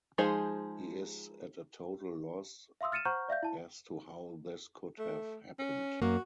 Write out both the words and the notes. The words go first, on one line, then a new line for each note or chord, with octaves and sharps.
He is at a total loss as to how this could have happened.
F3 G#3 D#4 G#4 C5
E5 F5 C6 D#6 E6
F6 A6 C#7 D#7 E7
C5 F#5 A#5 C#6 F6 G6
D5 E5 F5 G6
E4 A5
A3
C#4
F#2 A#3 F#4